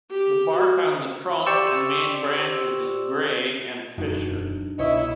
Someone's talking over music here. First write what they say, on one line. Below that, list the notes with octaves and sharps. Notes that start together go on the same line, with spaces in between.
The bark on the trunk and main branches is grey and fissured.
G4
F#4
G4 C5 D5 C#6 E6
E1 F#2 D4 D#4 F#4
C2 B2 E4 C#5 D#5